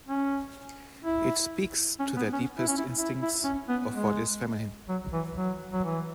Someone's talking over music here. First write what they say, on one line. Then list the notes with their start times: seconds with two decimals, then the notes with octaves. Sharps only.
It speaks to their deepest instincts of what is feminine.
0.07 C#4
1.04 E4
2.00 C#4
2.17 B3
2.33 C#4
2.59 E4
2.68 C#4
2.78 E4
2.97 E4
3.22 E4
3.44 C#4
3.69 B3
3.93 G#3
4.89 F#3
5.13 E3
5.36 F#3
5.73 F#3
5.84 E3